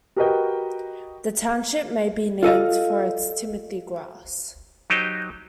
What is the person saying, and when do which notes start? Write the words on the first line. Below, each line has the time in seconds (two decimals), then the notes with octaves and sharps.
The township may be named for its Timothy-grass.
0.16 F#4 G4 A#4 B4 D#5 G5
2.43 F4 A4 D#5 F5
4.90 F#3 D#4 G4 C5 D#5